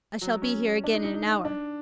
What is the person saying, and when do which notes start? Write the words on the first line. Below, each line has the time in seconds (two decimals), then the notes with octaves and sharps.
I shall be here again in an hour.
0.21 F#3
0.42 C#4
0.84 D4
0.94 D#4
1.04 D#4
1.14 D#4
1.45 D4